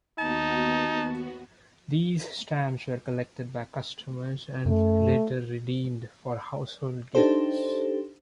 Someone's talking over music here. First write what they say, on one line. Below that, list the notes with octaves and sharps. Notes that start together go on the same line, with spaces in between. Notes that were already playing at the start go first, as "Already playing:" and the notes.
These stamps were collected by customers and later redeemed for household gifts.
D#2 B3 D#4 F#4 A5
F#2 A3
D4 D#4 G4 A4 C5